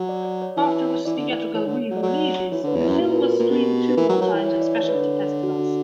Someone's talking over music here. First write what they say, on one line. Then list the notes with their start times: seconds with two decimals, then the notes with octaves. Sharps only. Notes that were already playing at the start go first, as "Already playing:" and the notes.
After its theatrical re-releases, the film was screened two more times at specialty festivals.
Already playing: F#3
0.09 D5
0.25 D5
0.42 C#5
0.57 E3 C#5
1.05 E3 D5
1.17 D3
1.29 E3
1.54 E3 C#5
1.66 D3
1.91 F#3
1.97 D5
2.03 F#3 C#5
2.52 E3 C#5
2.63 D3 B4
2.76 E2
2.84 F#2 E4
3.00 A#2 F#4
3.12 B4
3.16 A#4
3.32 A#4
3.39 A#2
3.49 B2 G4
3.90 B4
3.97 E3 A#4
4.09 F#3
4.21 F#3 C#5
4.33 E3
4.46 C#5
4.62 D5
4.78 E3 C#5
4.89 B4
4.94 D3
4.99 C#5
5.43 F#4
5.59 F#4